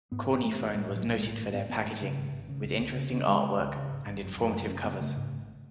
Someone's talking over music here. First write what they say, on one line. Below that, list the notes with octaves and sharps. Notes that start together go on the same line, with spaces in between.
Kornyfone was noted for their packaging, with interesting artwork and informative covers.
G#2 B3
A1
A1 A3
A1
A2 G#3
A2
F#3
B1
G#3
A2
G#1 A3
G#2 B3
G#1 B3
G#2 A3
C#3
G#1
G#1
C#3
C#2
C#2
C#3
C#3
C#3 G#3
C#3
C#2
C#3
G#1
G#1
F#2
F#2
F#1 A3
F#1 C#4
C#3 B3
C#3 A3
G#2
G#1